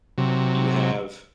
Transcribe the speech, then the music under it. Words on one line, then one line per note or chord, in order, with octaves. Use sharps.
you have
C3 F#3